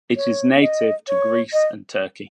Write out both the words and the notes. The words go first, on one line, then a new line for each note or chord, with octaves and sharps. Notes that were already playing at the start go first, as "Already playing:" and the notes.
It is native to Greece and Turkey.
C#5
D#5
C#5
D#5